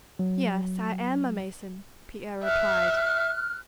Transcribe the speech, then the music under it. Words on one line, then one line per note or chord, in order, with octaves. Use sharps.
"Yes, I am a Mason," Pierre replied.
F#3
E5 F6 F#6